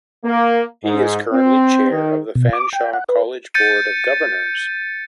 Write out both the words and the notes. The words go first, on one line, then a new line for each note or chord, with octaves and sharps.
He is currently chair of the Fanshawe College Board of Governors.
A#3
G#2
C4
D#3
B2
D6
G5
F#5
B4
G6 A6 C#7 D#7